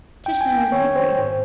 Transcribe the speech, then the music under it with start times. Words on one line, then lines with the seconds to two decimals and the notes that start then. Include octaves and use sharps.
Tishnar is angry.
0.25 F2 G5
0.41 G#5
0.49 G5
0.72 D#3 C#5
0.96 C5
1.19 G#2